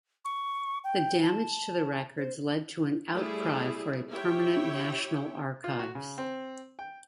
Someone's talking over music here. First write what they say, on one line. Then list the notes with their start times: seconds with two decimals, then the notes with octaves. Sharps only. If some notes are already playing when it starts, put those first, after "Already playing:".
The damage to the records led to an outcry for a permanent National Archives.
0.25 C#6
0.84 G5
1.22 A5
2.18 C5
3.13 G3 A3 E4 G#4
4.10 E4 G4 C#5 E5 G5
5.64 F4
5.79 F#4
5.95 C#3
6.18 C4
6.79 G5